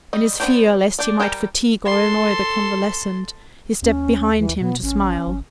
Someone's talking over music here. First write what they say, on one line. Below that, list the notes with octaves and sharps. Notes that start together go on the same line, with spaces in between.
In his fear lest he might fatigue or annoy the convalescent, he stepped behind him to smile.
G3 D#5
B3 C4 D4 F#4 G4
D4 G4 D5
G3 G4 A#4 G#5 A#5
A4 C6
D#2 C#4
E3
B2 B3
A1 C#4
G#1